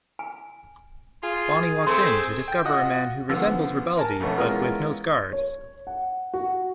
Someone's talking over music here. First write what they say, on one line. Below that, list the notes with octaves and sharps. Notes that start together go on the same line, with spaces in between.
Bonnie walks in to discover a man who resembles Ribaldi, but with no scars.
G#5
F4 G#4
A3 C4 A4 C6
G5
F4 F#4 D#5 F#5
C#2 D3 F3 B3 F5 E6
A#4 G#5 A5
F2 B2 A3 B3 C#4
E3 G#3 B3 C#4 F4 A#4
C#5
F#5
F#4